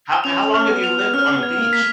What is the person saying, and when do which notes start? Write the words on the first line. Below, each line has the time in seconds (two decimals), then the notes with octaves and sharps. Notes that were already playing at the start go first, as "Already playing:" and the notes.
How how long have you lived on the beach?
0.24 C#4 F7
0.54 F6
0.69 B3
0.84 F7
1.13 C#4 F6
1.36 B3
1.43 G#6
1.58 A#3
1.73 B6